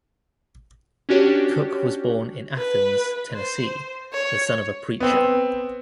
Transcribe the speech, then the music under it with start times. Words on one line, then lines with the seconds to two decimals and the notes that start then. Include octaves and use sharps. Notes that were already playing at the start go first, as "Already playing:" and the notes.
Cook was born in Athens, Tennessee, the son of a preacher.
1.09 C#4 D4 F#4 G4 C#5
2.58 B4
3.33 C5
4.13 C#5
5.00 B3 C4